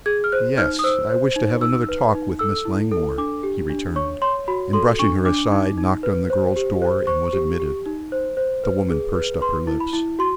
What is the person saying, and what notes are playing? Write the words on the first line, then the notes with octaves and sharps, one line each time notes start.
"Yes; I wish to have another talk with Miss Langmore," he returned, and, brushing her aside, knocked on the girl's door, and was admitted. The woman pursed up her lips.
G#4 G#6
F6
C5 F#6
D#4 F6
D#6
C5 E6
C5
D#4
D#4 E6
B4
D#4
A4 E6
E4
A4
D4 D6
G4
D4
C#5 C#6
C#5 C6
F#4 B5
A4 C6
D4 C#6
D4 D6
D#4
D#4
B4
C5
G4
C5
C5 C#6
G4
G4
D#4
C5
C5
B4
G#4
B4
B4 C6
E4
B5
E4
F#4 C6